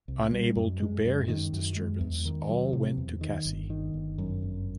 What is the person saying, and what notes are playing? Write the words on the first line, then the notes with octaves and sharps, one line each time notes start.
Unable to bear his disturbance all went to Kasi.
C2
G3
F#2
G#3
F#2
D#3
F#2
G#3
E2
D#3
F#3
C3
E2
D#3
G1
D#3
G1
F#2
G1